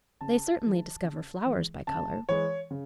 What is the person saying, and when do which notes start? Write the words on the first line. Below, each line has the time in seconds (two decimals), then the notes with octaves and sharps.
They certainly discover flowers by colour.
0.21 C#3 A5
0.62 E3 G#3
1.04 C#3
1.46 E3 G#3
1.87 C#3 A5
2.29 E3 G#3 C#5
2.71 C#3